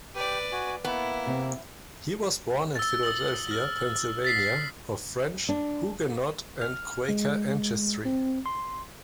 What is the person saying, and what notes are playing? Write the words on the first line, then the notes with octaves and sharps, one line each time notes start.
He was born in Philadelphia, Pennsylvania, of French Huguenot and Quaker ancestry.
G4 B4 D5
F#4 G#5
A#3 B3 E4
C3 C4
E6 A6
D#6 A6 F#7
F6
A6 B6 C7
D4
F6
G#3
C4
C6